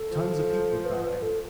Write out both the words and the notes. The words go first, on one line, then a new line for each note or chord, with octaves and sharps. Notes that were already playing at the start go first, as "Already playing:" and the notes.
tons of people die.
Already playing: A4
F3
B4
B4
A4